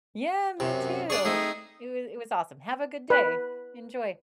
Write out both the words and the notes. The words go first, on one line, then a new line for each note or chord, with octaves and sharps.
Yeah, me too. It wa it was awesome. Have a good day. Enjoy.
F#2 C3
D4 G#4 D5 C#6
A3 C4 D#4 G#4
B4